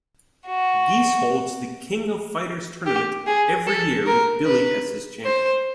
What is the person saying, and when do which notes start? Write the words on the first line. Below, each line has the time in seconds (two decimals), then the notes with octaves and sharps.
Geese holds "The King of Fighters" tournament every year with Billy as his champion.
0.47 F#4
2.86 G4
3.27 G#4
3.67 A4
4.06 A#4
4.45 B4
5.25 C5